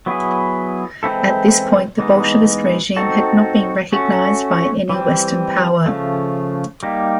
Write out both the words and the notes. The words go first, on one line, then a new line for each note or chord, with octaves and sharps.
At this point, the Bolshevist regime had not been recognized by any Western power.
F#3 B3 E4 G#4
E3 G#3 C4 E4 A4
E3 G#3 B3 D#4
C4 D#4 F#4 A4
A3 C#4 F#4
E3 G3 C4
C#3 F3 A3
G3 A#3 D#4 G4